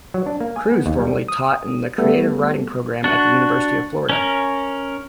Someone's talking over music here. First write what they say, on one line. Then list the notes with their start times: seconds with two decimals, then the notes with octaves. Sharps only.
Crews formerly taught in the creative writing program at the University of Florida.
0.14 F#3
0.26 D4
0.40 A#3
0.56 G#5
0.72 B3
0.86 D#2
0.99 G3
1.28 D#6
1.98 G3 A3 B3 A4
3.04 D4 F#4
4.09 C#4 A#4